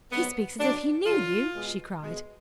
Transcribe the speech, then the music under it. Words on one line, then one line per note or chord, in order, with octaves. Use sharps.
"He speaks as if he knew you!" she cried.
G#2 F#3 B3
B2 F#3 D4
F#2 D3 F#3 F4
B2 G#3
B2 G#3